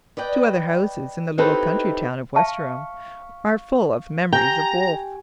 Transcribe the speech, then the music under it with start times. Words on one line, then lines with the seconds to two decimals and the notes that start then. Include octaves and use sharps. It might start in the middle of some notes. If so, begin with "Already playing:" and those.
Two other houses in the little country town of Westerham are full of memories of Wolfe.
0.17 B4 D5 D#5 G5
1.38 C4 D#4 E4 G4 A4 B4
2.36 E5 F5 A5 C#6
4.33 G4 G5 G#5 A#5